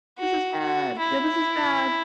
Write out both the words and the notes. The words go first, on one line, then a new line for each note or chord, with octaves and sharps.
"This is bad. Yeah, this is bad."
F#4
F#4
E4